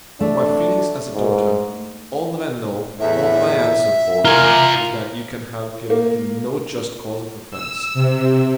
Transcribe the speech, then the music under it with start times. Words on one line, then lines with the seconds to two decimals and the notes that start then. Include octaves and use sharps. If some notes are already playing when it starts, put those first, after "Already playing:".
For my feelings as a daughter, all that I know, all that I answer for, is that you can have given him no just cause of offence.
0.20 A3 D4
1.14 G#2
3.00 E2 A2 E5
4.25 F4 A#4 G#5
5.90 A#3
7.50 E6
7.94 C3